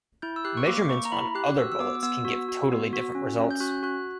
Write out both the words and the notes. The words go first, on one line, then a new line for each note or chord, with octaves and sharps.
Measurements on other bullets can give totally different results.
E4 G6
E6
G4 F#6
C#6
A#3 D6
A#3 C#6
A#5
E4 B5
G4 F#6
F#4 E6
E6
B3 D6
B3 E6
F#4
F#4
B3
F#4
C#4
C#4
G6
F#4 F#6
F#4 F#6